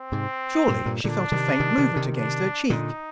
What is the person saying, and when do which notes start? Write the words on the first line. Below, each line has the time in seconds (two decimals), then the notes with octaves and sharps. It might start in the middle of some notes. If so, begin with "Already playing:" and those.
Surely she felt a faint movement against her cheek?
Already playing: C4
0.12 G#2 C3
0.67 G2 A#2
0.85 G2 A#2
1.04 A#2 D3 D4
1.32 C3 D#3
1.60 C3 D#3
1.78 C3 D#3
1.96 C3 D#3
2.14 D4
2.70 A#2 D3 D#4